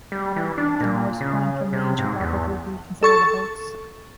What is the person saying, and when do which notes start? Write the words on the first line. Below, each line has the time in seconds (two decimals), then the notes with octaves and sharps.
The Norse coin from Maine should probably be considered a hoax.
0.12 G3
0.36 E3
0.58 D4
0.80 A#2
1.21 C#3
1.73 C3
1.99 G#2
2.20 E2
3.03 A4 C#6 A6